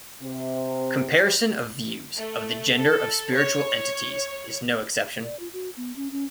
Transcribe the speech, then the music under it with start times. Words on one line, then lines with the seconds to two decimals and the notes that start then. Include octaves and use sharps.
Comparison of views of the gender of spiritual entities is no exception.
0.22 C3
2.15 A3
2.77 A4
3.33 C#5
5.24 D5
5.40 F4
5.53 F#4
5.77 B3
5.96 C#4
6.12 C#4